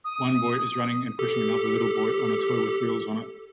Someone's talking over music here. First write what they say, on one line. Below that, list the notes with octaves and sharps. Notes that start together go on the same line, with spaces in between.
One boy is running and pushing another little boy on a toy with wheels on it.
D#6
G4 A4